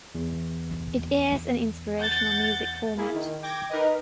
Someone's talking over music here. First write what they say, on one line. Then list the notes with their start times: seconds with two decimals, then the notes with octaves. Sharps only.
It airs an inspirational music format.
0.15 E2
1.99 F#5 G6 A6
2.97 A#3 E4 G#4
3.14 D#3
3.42 G5 D6 G#6 A#6
3.69 D#4 A#4 B4 D#5